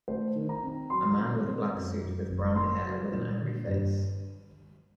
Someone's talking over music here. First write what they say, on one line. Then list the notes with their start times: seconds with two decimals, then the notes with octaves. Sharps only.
A man with a black suit with brown hair with an angry face.
0.08 A3 C5
0.35 D#3
0.49 A#5
0.63 C4
0.90 F#3 C6
1.19 C4
1.45 C4
1.74 F#2
2.01 F#2
2.29 F#1
2.56 A#3 C6
2.84 F#3
3.12 A#2
3.40 D3
3.67 G2